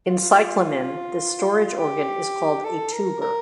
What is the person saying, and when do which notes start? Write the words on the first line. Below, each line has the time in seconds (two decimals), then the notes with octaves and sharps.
In cyclamen this storage organ is called a tuber.
0.09 F4
1.79 G4
2.64 A4
2.93 A#4
3.22 A#4